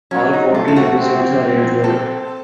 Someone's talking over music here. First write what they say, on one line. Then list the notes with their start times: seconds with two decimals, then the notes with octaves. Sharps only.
All fourteen episodes are included.
0.11 F#3 C#4
0.33 D#4
0.54 A3 F4
0.68 A4
0.76 F#4
0.98 C4
1.84 A4